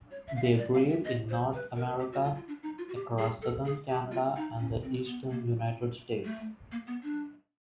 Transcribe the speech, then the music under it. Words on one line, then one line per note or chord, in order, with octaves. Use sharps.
They breed in North America, across southern Canada and the eastern United States.
C#5
E5
F5
E5
D5
F5
E5
D#5
C5
B4
A#4
G4
F#4
F4
F4
D4
D#4
F4
F#4
G4
G#4
A4
G#4
G4
F4
D#4
C#4
C4
B3
A#3
A3
A#3
B3
D4